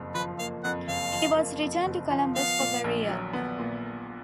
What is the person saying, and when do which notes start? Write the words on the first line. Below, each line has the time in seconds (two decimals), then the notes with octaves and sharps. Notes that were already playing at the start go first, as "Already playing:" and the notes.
He was returned to Columbus for burial.
Already playing: F#1 F2
0.14 F3 B4
0.39 A#3 F5
0.64 F2 F#5
0.88 F#1 F5
1.13 F3
1.37 A#3
1.62 F2
1.86 F#1
2.10 F3
2.36 B3 F5
2.60 A#2
2.84 A#1
3.09 F#3
3.33 B3
3.59 A#2